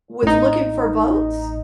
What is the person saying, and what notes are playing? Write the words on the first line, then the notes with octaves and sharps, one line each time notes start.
was looking for votes?
A1 D#4